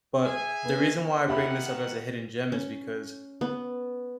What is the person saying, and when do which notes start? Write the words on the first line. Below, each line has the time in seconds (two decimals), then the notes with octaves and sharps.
But the reason why I bring this up as a hidden gem is because
0.24 G#4 E5 G#5
0.65 B3
1.28 D#3 G4 E5 F#5 B5
2.52 C#4
3.41 B3